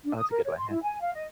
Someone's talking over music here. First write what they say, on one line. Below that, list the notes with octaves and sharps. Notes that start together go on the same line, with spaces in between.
Oh, that's a good one, yeah.
D4
D#6
A#4
C#5
C6
E4
G#5
F5
D#5